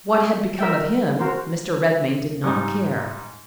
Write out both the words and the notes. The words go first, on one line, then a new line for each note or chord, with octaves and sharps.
What had become of him Mr. Redmain did not care.
G#4
A#4 E5 G5
C4 F#4 A#4 C5
G#2 G3 D#4